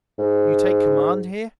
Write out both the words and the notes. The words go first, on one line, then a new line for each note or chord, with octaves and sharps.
"You take command here?"
G#2